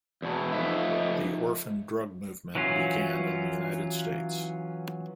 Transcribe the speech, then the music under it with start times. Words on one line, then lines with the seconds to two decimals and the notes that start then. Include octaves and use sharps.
The orphan drug movement began in the United States.
0.22 E2 B2
0.52 F3 A3 D#4 E5
2.55 E3 F#3 C#4 F4